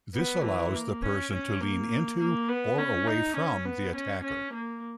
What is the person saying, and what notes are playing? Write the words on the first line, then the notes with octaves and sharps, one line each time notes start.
This allows the person to lean into or away from the attacker.
B3
E3
A#3
C#4
C#4
A#3
A#3
B3
C#4
D#4
C#4
B3
C#4
C#4
A#3